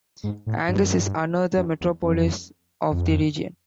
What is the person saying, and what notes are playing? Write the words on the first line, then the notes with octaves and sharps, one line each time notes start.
Angers is another metropolis of the region.
G#2
A2
G2
F#2
G2
F#2
E2
F2
F2